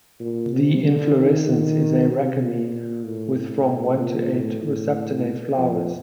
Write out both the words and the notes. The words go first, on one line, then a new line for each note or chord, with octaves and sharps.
The inflorescence is a raceme with from one to eight resupinate flowers.
A#2
C3
D3
D#3
C3
A#2
A2
A2
A#2
A2
A2
F2